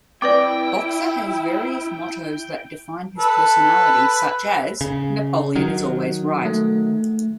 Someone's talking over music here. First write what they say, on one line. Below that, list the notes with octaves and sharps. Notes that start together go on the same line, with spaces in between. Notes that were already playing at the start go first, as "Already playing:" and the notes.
Boxer has various mottoes that define his personality, such as: Napoleon is always right.
C4 E4 B4 D5 G5 D6
A4 B4
C#3
D#3 F#3
A3